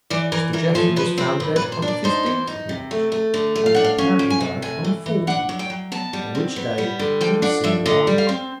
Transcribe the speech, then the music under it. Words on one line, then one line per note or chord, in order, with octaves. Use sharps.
Mr. Jeffrey was found dead on the fifteenth of March, having apparently died on the fourteenth, on which day he was seen alive.
E3 D5
E3 A#4
E3 A#4
F3 A4
F3 B4
C4 B4
A#2 B4
B4
A#2
C5
D4
D5
D#4 C5
E3
D#4
C3
A3
A3
D3
A3
F5
D4 F#5
F5
C#4 F5
F3
G#5
C3
A2 G#5
E3
E3
D4 F#5
F#3
G5
F#3
B2 A5
G3
C4
B3
G3
D3
F3 G5
D4 F#5
F3 E5
D3 D#5
G3
F5
C4